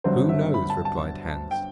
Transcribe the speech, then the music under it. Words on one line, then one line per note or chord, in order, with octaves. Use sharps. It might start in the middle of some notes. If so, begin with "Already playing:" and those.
'Who knows?' replied Hans.
G1 G2 D3 F#3 C4 C5
E5
B5
A5
A5
G5